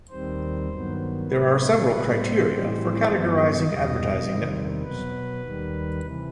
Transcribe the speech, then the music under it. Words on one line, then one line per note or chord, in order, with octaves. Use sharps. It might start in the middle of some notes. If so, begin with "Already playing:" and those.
There are several criteria for categorizing advertising networks.
D#2 D#3 G3 C4 C5
G2 D#3 F#3 B3
A2 F#3 B3 B4
A2 G3 B3 B4
C5
A2 E3 G3 C4
G2 F#3 B3
E2 B2 G3 D#5
E2 C3 D#3 G3 C4
B2 F#3 B3 B4
D#2 D#3 G3
C3 E3